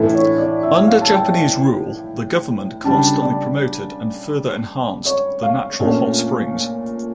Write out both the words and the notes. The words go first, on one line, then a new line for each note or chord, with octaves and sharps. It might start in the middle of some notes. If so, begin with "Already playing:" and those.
Under Japanese rule, the government constantly promoted and further enhanced the natural hot springs.
Already playing: A2 E3 A3 E4 A4
C#5
D5
E5
F5
A5
G5
C#3 G3 D4 A5
D5
C#5
F5
A#2 A3 C#4 F4